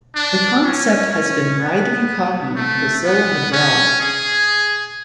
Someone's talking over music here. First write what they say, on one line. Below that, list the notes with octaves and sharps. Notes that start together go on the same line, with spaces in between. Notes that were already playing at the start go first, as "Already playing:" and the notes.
The concept has been widely copied in Brazil and abroad.
D4
C#4
C#4
B3
A3
B3
C#4
G#4